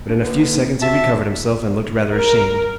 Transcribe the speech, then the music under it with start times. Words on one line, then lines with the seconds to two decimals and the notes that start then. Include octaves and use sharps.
But in a few seconds he recovered himself and looked rather ashamed.
0.08 D4
0.22 D3 A#3 B4
0.82 F#4 E5 A5
2.14 A#4